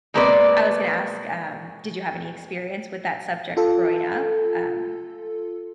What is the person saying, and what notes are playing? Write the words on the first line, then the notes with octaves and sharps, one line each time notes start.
I was gonna ask, um, did you have any experience with that subject growing up, um,
B2 G#3 A#3 C4 B4 D5
F4 A4